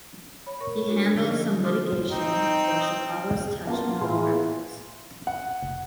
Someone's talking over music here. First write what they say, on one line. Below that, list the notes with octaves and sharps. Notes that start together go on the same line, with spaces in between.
He handled some litigation for Chicago's Touch and Go Records.
C#5 B5
A#4 C#5 C#6
D4 F#4 G#4
D3 F3 D#4
C#4 D#5
F#4 C5 C6 D6 D#6 F6
C4 D#4 G5
A#3 B3 F4 F#5 A5
A2 E3 G#4 C6
F#5
F1